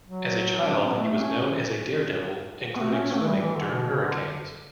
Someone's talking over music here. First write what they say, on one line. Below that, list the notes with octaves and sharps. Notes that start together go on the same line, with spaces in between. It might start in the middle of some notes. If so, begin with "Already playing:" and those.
As a child, he was known as a daredevil including swimming during hurricanes.
F#3
D4
C#4
B3
A3
C#4
B3
A3
C#4
C#4
A3
G3
E3
D3
B2
C#3
D3